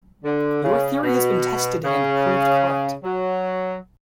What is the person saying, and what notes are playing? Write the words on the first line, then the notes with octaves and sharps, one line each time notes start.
Your theory has been tested and proved correct.
D3
C#3
B2
C#3
F#3